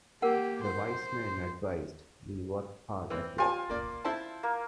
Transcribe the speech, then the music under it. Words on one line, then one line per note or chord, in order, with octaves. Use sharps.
The wise man advised we work hard at work.
A#3 G4 A#4 F#5
C5
E3 C4
F4 G4 G#5 A5
A#3 D5
E4 C5 A5
A#3